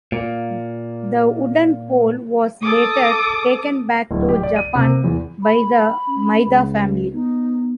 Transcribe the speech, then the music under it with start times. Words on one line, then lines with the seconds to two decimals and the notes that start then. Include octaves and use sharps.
The wooden pole was later taken back to Japan by the Maida family.
0.12 A#2 A#3
2.60 A4 D6 D#6
4.11 D1
4.29 G4
4.43 D5
4.56 D#7
4.75 C3
4.90 A#3
5.04 E2
5.43 B5
6.07 C#4
6.46 C#2
7.13 B3 D#4